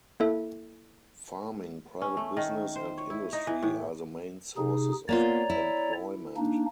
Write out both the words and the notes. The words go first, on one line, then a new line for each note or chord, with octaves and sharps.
Farming, private business and industry are the main sources of employment.
A#3 E4 A4 E5
C#4
A3
D#3
C5
C#5
E4
D#4
E3
A2
C3 D#4 G#4
A#3 B3 F4 C#5 D5 A#5
E4
A#3 D4 D#4